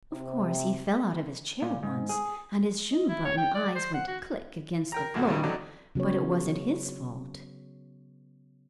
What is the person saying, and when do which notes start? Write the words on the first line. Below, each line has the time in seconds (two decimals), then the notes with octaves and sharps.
Of course, he fell out of his chair once, and his shoe button eyes went "Click!" against the floor, but it wasn't his fault.
0.13 C3
1.62 A#2
1.83 G#2
2.09 G#4
2.91 D#5
3.09 E4
3.25 C#5
3.38 G5
3.55 D5
3.76 C5
3.94 F#5
4.08 F#4
4.92 A#4 G5 A#5
5.14 A#1 F#2 D3 F#4
5.26 A#2 C#3 E3 G3
5.43 D3 F#3 C4 D4 D#4
5.95 C#3 F#3 B3 C#5